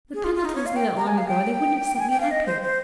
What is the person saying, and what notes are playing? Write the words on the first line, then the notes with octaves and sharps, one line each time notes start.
The Pendletons knew that long ago, or they wouldn't have sent me up here.
G#4
F4
F4
D#4
C#5
F5
G5
A#5
G#5
F5
G5
G#5
G5
F5
D#5
C5
C5